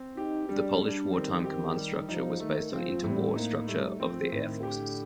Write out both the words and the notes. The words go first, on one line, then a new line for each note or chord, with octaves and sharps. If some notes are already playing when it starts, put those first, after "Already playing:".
The Polish war-time command structure was based on inter-war structure of the air forces.
Already playing: C4
D#4 G4
G3 D4
G3 D4
D#3 C4
D#3 G4
G3
F3 D#4
D#3 A3
F3 C4
A2 G3
A#3 D#4
G3 A3
F3 C4
A2 D#3
D3 G4